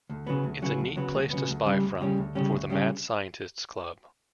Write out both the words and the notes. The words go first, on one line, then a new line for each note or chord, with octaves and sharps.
"It's a neat place to spy from" for the Mad Scientists Club.
D2
C#3 F#3 B3
D2
C#3 F#3 B3
D2
C#3 F#3 B3
D2
C#3 F#3 B3
D2
C#3 G3 C#4
D2
C#3 G3 C#4
D2
C#3 G3 C#4
D2
C#3 G3 C#4